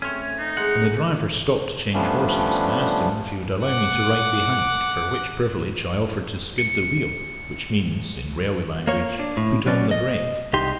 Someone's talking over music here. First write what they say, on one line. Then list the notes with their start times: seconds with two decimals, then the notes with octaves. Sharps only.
When the driver stopped to change horses, I asked him if he would allow me to ride behind, for which privilege I offered to skid the wheel, which means, in railway language, put on the brake.
0.02 A3 C4 C#4 C#5
0.39 D#4
0.57 G#3 F#5
1.94 F3 G3 A3 B3 C#4 D4
3.64 F#5 D6
6.58 C#7
8.87 A#3 C#5
9.19 D4
9.37 A2
9.66 F#3 C#4 D5
9.91 D#5
10.53 C2 D#4 G4 C6